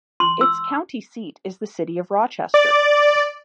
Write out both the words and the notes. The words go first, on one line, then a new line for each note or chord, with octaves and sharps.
Its county seat is the city of Rochester.
C6
E6
D5